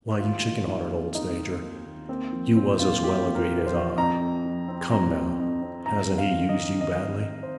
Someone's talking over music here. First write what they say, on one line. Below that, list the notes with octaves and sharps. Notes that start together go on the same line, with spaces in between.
Why, you chicken-hearted old stager, you was as well agreed as I. Come now; hasn't he used you badly?'
D#2 F4
D#3
D#2
C4
D#3 D#4
D#3
D#2
D#2
A#3 C4
F3
A#2 C4
A#1 F4
A#1 G4
F3
A#4
A#1
C5
F3
F2 A#5
F2
F3
C4
C4 A#5
F3
F2
C4
G1 A#5
C4
F5
D#3
D#5
F2
D#3 D#5
C4
C4
C5